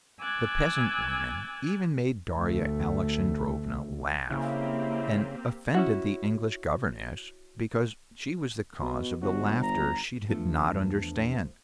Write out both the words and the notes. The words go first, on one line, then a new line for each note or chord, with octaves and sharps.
The peasant women even made Darya Alexandrovna laugh, and offended the English governess, because she was the cause of the laughter she did not understand.
G#5 D6 E6 F#6 G#6 A6
D2 A3
C#3 A#3 C4 E4 G4
C#4 E4 F#4
B2
G1 F#4
A#5
E2 E3 F3 A3 D4